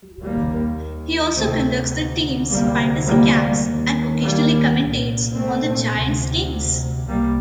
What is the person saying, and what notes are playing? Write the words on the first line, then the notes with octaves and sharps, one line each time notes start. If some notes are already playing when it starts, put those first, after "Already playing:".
He also conducts the team's fantasy camps and occasionally commentates on Giants' games.
D#2 G3 A#3
D2 C3 A3 C4
D2 C3 G3 A#3
G3 A#3
D#2
G3 A#3
C2 A#2
A3 C4
D2 C3
C2 C3 G3 A#3